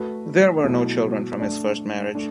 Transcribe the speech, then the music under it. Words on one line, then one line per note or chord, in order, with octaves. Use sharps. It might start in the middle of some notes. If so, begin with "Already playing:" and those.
There were no children from his first marriage.
Already playing: A3 F#4 B4
B2 F#3 A3 E4
A3 D4 A4 D5
A3 D4